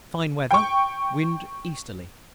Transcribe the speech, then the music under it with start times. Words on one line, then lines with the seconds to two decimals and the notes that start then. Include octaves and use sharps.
Fine weather: wind easterly.
0.51 G5 C#6